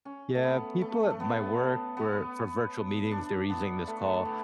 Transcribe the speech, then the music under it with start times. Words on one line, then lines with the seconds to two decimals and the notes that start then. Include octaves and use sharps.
Yeah, people at my work were for virtual meetings, they were using this call,
0.05 C#4
0.35 A3
0.43 B3
0.81 A3
1.10 A3
1.20 B3
1.97 B3
3.11 D4
3.50 B3
3.87 A3
4.14 A3
4.25 B3